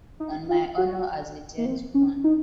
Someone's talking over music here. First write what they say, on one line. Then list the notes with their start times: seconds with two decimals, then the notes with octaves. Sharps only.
On my honor as a gentleman.
0.20 D#4
0.49 F4
0.78 F#4
1.58 A#3
1.65 C4
1.94 C#4
2.24 D#4